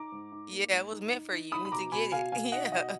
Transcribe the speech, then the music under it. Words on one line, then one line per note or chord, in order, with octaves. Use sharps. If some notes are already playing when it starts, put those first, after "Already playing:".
Yeah. It was meant for you to get it. Yeah.
Already playing: D#4 A#5 D6
G#2
D#4
A#3
G#2
D#4
D#4
D#4
D#4 B5 D#6
B5
B2 A#5 D6
B2 G#5 B5
B2 F5 G#5
B2 F5 G#5
D#4 D#5 F#5
B2 D#5 F#5